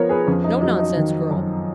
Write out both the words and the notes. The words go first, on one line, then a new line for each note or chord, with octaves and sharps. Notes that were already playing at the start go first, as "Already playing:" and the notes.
No nonsense, girl!
Already playing: F3 B3 A#4 C#5
G#4 B4
F2 C#4
D#4
F#3 D#4
D#4
D#3
F#2